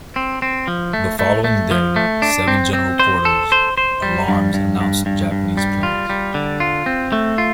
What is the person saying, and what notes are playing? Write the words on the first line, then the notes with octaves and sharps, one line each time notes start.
The following day seven general quarters alarms announced Japanese planes.
C4
C4
F3
A3
A3
A3
F3
A3
D4
C4
C4
C5
A4
C5
C5
G3
G2
G2
G2
G2
G2
G3
F4
G3
D3
F4
C4
A3
F4